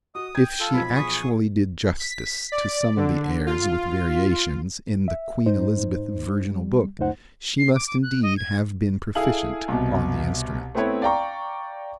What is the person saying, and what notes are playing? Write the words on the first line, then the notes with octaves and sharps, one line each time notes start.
If she actually did justice to some of the airs with variations in the "Queen Elizabeth Virginal Book," she must indeed have been proficient on the instrument.
F#4 D#5 D#6
G5 G#6
F4 A4
B1 F3 B5 G#6
G#4 C#6 D#6
B6
D5
D3
F4
E5
G#2 D#4 C5
G3
C#2 F#2 A3 D#4 C5 F#5
C7
D6
D6
F#6
D#5
G#6
E4 G#4 A4 F5 G#5 F#7
C2 B2
A3 B3 C4 E4 B4 C#5
D5 F5 G5 A#5 C#6